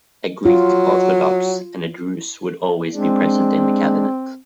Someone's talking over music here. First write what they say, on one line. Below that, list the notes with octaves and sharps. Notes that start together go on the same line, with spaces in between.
A Greek Orthodox and a Druze would always be present in the cabinet.
F#3 F4
G#3 C4 D4